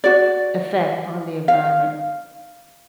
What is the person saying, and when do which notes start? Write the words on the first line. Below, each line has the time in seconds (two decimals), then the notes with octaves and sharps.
effect on the environment,
0.04 F#4 D5
1.48 F5